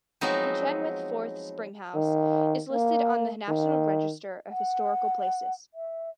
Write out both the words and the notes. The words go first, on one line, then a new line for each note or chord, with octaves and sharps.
The Chenoweth Fort-Springhouse is listed on the National Register of Historical Places.
F3 F#3 G#3 B3 C4 D#4
D#3
A#3
D#3
F#5
E5